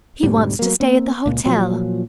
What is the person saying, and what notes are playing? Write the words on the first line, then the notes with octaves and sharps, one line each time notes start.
He wants to stay at the hotel.
D2 G#2 B2 G3
F#3 A#3
A#3 C4
C#2 A#2
A#2 F3 F#3